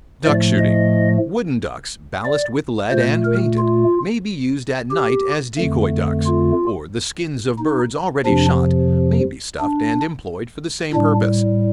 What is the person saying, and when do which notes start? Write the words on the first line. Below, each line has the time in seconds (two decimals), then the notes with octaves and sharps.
Duck-shooting.--Wooden ducks, ballasted with lead, and painted, may be used at night as decoy-ducks; or the skins of birds already shot, may be stuffed and employed for the same purpose.
0.25 A2 F3 A3 D5
0.58 D#5
2.25 D5
2.91 A#2 A3 C5
3.24 A#4
3.58 F4
4.91 G4
5.59 F2 D3 A3
6.26 F4
7.59 D#4
8.25 F2 C3 F3 D4
9.59 D4
10.93 A2 G3 D4